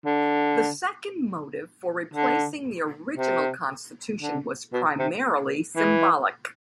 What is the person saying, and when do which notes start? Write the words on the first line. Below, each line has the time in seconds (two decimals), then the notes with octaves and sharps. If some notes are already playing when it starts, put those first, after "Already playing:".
The second motive for replacing the original constitution was primarily symbolic.
0.05 D3
2.14 D3
3.17 C3
4.21 D3
4.73 B2
4.99 C3
5.76 E3